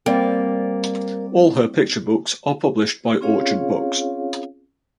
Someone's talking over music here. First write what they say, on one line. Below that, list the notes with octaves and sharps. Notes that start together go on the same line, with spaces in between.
All her picture books are published by Orchard Books.
G3 A#3 C4 D5
C4 C#4 F4 G#4 C#5 F5